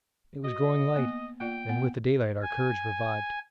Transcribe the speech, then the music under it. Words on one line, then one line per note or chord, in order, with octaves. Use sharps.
It was growing light, and with the daylight our courage revived.
F#4 D#5
A#3 B3
A#3 F4 D5 G5
B3 F#5
G#5